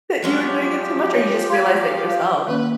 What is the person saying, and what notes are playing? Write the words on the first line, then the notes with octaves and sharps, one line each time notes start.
that you were doing it too much, or you just realized it yourself?
F3 F#3 G#3 C#4 G4
C#5
F5 C6 G#6
D#3 A#3 C#4 B4